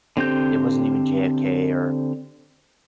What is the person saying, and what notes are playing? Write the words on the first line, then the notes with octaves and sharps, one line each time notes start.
it wasn't even JFK or
D3 C4 G4 G6